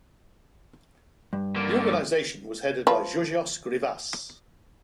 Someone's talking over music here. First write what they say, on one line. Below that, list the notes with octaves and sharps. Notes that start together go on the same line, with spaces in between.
The organisation was headed by Georgios Grivas.
G2
D3 A#3
F3 B4